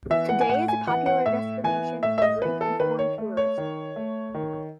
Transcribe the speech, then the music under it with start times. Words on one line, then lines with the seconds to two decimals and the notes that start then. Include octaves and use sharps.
Today is a popular destination for Greek and foreign tourists.
0.10 E3 B3 E5
0.29 F#5
0.41 G#5
0.49 A2 F#5
0.68 G#5
0.87 E3 B3 F#5
1.06 F#5
1.26 A2 E5
1.64 E3 B3 G#5
2.03 A2 E5
2.18 E5
2.22 D#5
2.42 E3 B3 B4
2.61 A4
2.80 D#3 B4
2.99 C#5
3.18 A3
3.37 C#5
3.58 D#3
3.96 A3
4.34 D#3